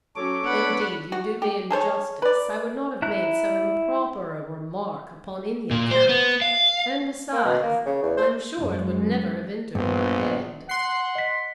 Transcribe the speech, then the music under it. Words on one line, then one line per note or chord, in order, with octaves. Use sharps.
"Indeed you do me injustice; I would not have made so improper a remark upon any account; and besides, I am sure it would never have entered my head."
F#3 C#4 A4 C#5 D6
B3 D4 F#5 B5
F#4
G4
G#4 A4 C5 C#5
B4 D5
E4 A#5 F#6
A#2
C5
B3
F5
A#3
B2
A#3
C#3
E2
C5
F#2 G#3
A#1 G2 B3
F#5 C6 C7
D#5 B6